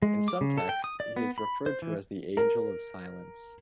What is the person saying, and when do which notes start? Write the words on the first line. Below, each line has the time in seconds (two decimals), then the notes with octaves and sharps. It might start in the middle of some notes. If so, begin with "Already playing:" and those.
In some texts, he is referred to as the Angel of Silence.
0.02 G#3
0.28 D6
0.41 C#3
0.58 A4
0.69 G5
0.84 D#6
1.00 D5
1.16 B3
1.38 B5
1.66 C5
1.82 E3
2.37 A#4